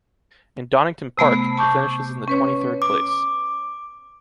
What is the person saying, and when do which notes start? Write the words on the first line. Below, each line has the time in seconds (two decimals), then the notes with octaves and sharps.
In Donington Park, he finishes in the twenty-third place.
1.17 C3 A3 B3
1.57 A5 C#6 D6 G6
2.28 C#4 B4 C#5
2.82 D6